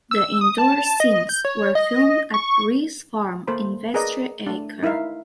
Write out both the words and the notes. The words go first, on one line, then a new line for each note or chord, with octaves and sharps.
The indoor scenes were filmed at Riis farm in Vestre Aker.
E6
D#6
A5
D#5
G6
C#5
D#5
C#6
A#3 A4 C5 B5
G#4 A#4 B4 D5 D#5
A3 D4
D#4 E4 A#4 E5 F5